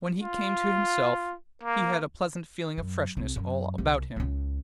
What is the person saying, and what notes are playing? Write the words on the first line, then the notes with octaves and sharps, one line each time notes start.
When he came to himself, he had a pleasant feeling of freshness all about him.
F4
A#3
F#2
C2
F#2
C2
C#2 C#3